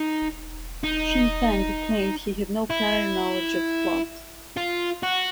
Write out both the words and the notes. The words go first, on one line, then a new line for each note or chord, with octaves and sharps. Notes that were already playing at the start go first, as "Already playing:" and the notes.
Chin Peng claimed he had no prior knowledge of the plot.
Already playing: D#4
D#4
E4
F4
F#4